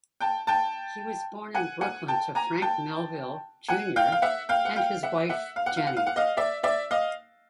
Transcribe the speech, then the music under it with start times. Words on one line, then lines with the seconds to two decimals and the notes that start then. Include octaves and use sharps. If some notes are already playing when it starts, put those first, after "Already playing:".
He was born in Brooklyn to Frank Melville, Junior and his wife, Jennie.
0.20 G5 A5
0.47 G5 A5
1.55 F#5 G#5
1.81 F#5 G#5
2.08 G5 A5
2.35 G#5 A#5
2.62 G5 A5
3.69 F#5 G#5
3.96 F5 G5
4.12 F5
4.22 E5 F#5
4.49 F5 G5
4.65 F#5
4.76 F5 G5
5.03 E5 F#5
5.29 E5 F#5
5.56 F5
5.66 F#5
5.77 F5
5.87 F#5
5.97 F5
6.07 F#5
6.16 D#5 F5
6.37 D5 E5
6.63 D5 E5
6.91 D#5 F5